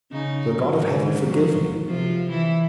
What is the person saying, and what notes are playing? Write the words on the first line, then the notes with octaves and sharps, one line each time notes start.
The God of heaven forgive me!
C#3 C#4 D#4
F#3
G#2
F3 F#3
C3 F3 F4
E3 E4